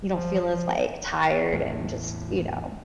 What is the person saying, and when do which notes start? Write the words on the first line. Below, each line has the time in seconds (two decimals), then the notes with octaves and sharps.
you don't feel as, like, tired, and just you know?
0.12 F3
1.53 E2 A2